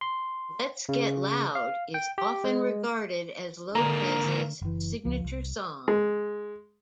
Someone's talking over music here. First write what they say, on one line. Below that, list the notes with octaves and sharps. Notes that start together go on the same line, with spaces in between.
"Let's Get Loud" is often regarded as Lopez's signature song.
C6
C#3
F5
G5
G4
G#3
G#2 D3 A#3 A#5
F#1 E3
C#2 F3
C2
G#3